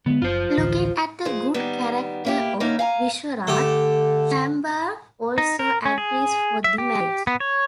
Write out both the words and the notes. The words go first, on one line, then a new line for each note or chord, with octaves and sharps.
Looking at the good character of Vishvarath, Shambar also agrees for the marriage.
D3 F#3 G#3 B3
F#1 F4 C5
A1 D2 E3
F2 G#4 C5
D#3 G3 B3
A#3 E4 G4
D3 A#3 C#4 D#4 E4
F5 G#5 A#5
D3 A3 G4
D#4
A#4
C#4
G#4
E5
G4
B3
C#5